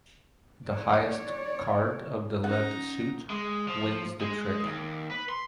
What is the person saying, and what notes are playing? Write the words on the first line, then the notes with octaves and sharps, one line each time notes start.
The highest card of the led suit wins the trick.
C#5 D5
C#4 D#4 F#5 A#5
G#3
F3
G#3
D#2
B4
C6